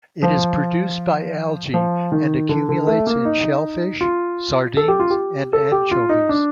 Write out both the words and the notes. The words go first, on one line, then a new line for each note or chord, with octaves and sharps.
It is produced by algae and accumulates in shellfish, sardines, and anchovies.
F3
F3
D#3
D3
D3
A3
A#3
D#4
F4
A4
G4
F4
G4
A4
G4
F4
D#4
D4